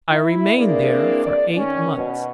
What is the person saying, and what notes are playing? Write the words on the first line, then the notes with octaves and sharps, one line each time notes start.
I remained there for eight months.
E4
E3 A#3 C4 D4 G#4 D5
D5
D#3 C#4
B2